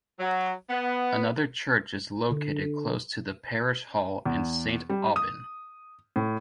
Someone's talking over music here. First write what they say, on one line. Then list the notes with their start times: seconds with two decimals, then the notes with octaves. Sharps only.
Another church is located close to the Parish Hall in Saint Aubin.
0.19 F#3
0.70 B3
2.31 D3
4.26 E2
4.90 G3
5.16 D#6
6.16 A2